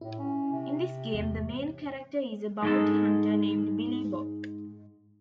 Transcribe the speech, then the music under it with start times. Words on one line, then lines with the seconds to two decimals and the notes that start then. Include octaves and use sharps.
In this game, the main character is a bounty hunter named Billy Bob.
0.01 A2 E4
0.19 C#4
0.52 C3
1.14 E2 G#2
2.63 G#2 G#3 A4